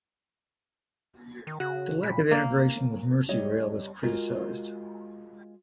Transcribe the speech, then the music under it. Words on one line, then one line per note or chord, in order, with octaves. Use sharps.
The lack of integration with Merseyrail was criticized.
D#3
C#3 F#4
A#2 B5
A#3
G3 C#5 D#5
G#3 F4 F#4 A#4